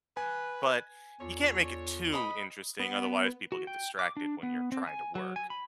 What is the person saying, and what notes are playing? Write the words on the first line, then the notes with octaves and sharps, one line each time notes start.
But you can't make it too interesting, otherwise people get distracted when you're trying to work.
B4 G#5
E2 D3 D4 F4 C#5
B4 D#5 B5
B3
F#4
G5
D6
D4
B3
C4
G#5
F#3
G#5
B5